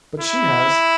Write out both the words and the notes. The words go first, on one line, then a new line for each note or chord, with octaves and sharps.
But she has.
E4